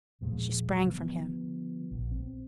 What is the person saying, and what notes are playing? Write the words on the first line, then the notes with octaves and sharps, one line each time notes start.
She sprang from him.
E2 A#2 F3 G#3
D3 F3 G3 B3
A#1
C4